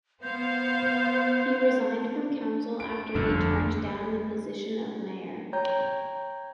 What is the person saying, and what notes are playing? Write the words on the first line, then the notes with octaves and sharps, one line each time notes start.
He resigned from council after he turned down the position of mayor.
B3 C5 F5 G6
D7
G1 F2 D3
C#5 G5 A#5 G6